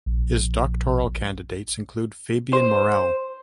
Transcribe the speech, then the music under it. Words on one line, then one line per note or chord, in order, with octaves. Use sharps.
His doctoral candidates include Fabien Morel.
A#1
C5